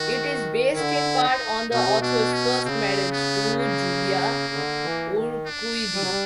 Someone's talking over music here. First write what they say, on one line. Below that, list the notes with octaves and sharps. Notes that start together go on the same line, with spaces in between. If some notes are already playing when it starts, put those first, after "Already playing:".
It is based in part on the author's first marriage, to Julia Urquidi.
Already playing: D#3 F#4
D3 E4
D#4
B2 D#4
C3
B2 D4
C#4
C#3 C4
B3
A#3
D3
E3
D#3
D4
G3
F#3
G3